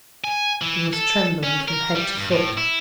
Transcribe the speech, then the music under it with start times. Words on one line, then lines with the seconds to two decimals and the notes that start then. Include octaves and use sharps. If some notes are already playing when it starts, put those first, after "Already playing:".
He was trembling from head to foot.
0.24 G#5
0.62 E3
0.93 A4
1.43 C#4
1.68 A#4
1.95 G3
2.17 G2
2.31 A2
2.58 E4